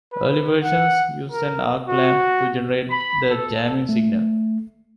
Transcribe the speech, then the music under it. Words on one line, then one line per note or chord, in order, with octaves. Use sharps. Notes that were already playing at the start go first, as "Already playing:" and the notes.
Early versions used an arc lamp to generate the jamming signal.
B4
F#5
A#4
F#4
B5
A4
A3